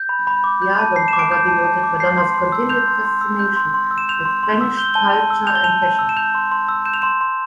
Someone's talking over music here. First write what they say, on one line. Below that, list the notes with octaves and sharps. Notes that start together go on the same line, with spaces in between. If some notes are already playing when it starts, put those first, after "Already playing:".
The album cover denoted Madonna's continued fascination with Spanish culture and fashion.
Already playing: G6
B5
B5
D6
G6
A5
A5 C7
E7
D6
D7
G6
A5
A5
D6
G6 C7
C6
C6
E6
G6 F7
C6
C6
E6
G6
C6
C6
E6
E7
G6 F7
C6
C6
E6
G6 G7
A5 G7
A5
E6
G6 F7
G7
A5 F7
A5
E6
E7
G6 F7
C6
C6
E6
G6 E7
F7
C6 E7
C6